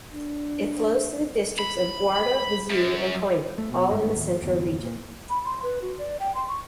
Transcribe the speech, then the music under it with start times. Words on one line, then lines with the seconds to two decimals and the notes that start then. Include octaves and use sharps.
It flows through the districts of Guarda, Viseu and Coimbra, all in Centro Region.
0.13 D4
1.59 B5
2.70 F#2
3.58 A3
3.71 B2
3.91 G#1 G2 G#3
4.13 A1 D#2
4.42 F#1 D#2 B2
4.83 A#2
5.30 B5
5.45 C6
5.63 B4
5.82 F#4
5.99 D5
6.20 G5
6.35 C6
6.49 C#6